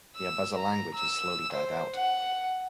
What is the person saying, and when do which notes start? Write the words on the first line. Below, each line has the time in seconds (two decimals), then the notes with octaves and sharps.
The Abaza language has slowly died out.
0.16 E6
0.57 A#5
0.95 E6
1.53 C5
1.95 F#5